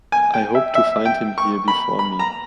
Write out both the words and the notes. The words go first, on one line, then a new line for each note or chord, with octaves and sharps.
I hoped to find him here before me.
G#5
G5
E5
E5
G5
C#6
B5
B5
A#5